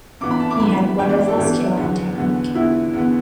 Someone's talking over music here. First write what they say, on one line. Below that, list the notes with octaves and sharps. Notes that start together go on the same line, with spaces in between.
He had wonderful skill and technique.
G2 E3 B3 D6
B5
A5
D6
G2 E3 B3 B5
G2 E3 B3 G5
D5
G4
A4
G2 E3 B3 G4
E2 D3 B3
E2 D3 B3
E2 D3 B3 E4
E2 D3 B3